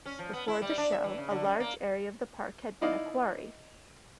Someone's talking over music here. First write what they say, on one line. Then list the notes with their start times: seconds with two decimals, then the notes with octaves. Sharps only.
Before the show, a large area of the park had been a quarry.
0.06 C#4
0.19 F3
0.33 B3
0.48 E4
0.62 G3
0.78 D4
0.92 E5
1.04 E3
1.18 C#3
1.31 D3
1.44 F#2
1.60 A#3
2.81 D#4 E4 D5 D#5 F5